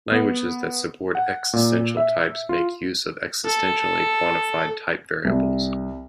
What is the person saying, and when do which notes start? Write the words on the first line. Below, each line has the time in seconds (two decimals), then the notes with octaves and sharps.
Languages that support existential types make use of existentially quantified type variables.
0.12 B3
1.15 F#5
1.53 A#2
1.97 E5
2.49 F4
3.45 A4
5.24 C2